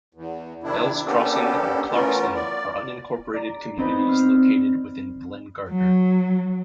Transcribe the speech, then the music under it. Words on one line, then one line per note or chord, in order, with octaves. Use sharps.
Bells Crossing and Clarksville are unincorporated communities located within Glen Gardner.
E2
C3 D#3 D4 E4
A#3 B3 C#4 D4 G4 A4
E3 A3 B3 C#4 F4 A#4
D5
D5 A#5
B3 C4 D#4 B4
C6 F6
F#3